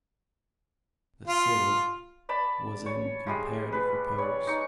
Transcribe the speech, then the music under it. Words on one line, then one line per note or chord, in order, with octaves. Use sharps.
The city was in comparative repose.
F4
D5 A5 B5 D6
C#5
F3 G3 G#3
B4
C#5 D5
D#4 C#6